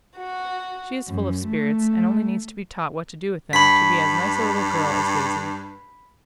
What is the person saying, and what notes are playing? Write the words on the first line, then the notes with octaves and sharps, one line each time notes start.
She is full of spirits, and only needs to be taught what to do with them to be as nice a little girl as Daisy.
F#4
F#2
A3
G2 B5 B6